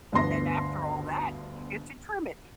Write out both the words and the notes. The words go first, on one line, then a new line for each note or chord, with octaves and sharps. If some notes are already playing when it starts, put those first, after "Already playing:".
And then, after all that, you get to trim it.
G1 D2 D3 B3 C6 A#6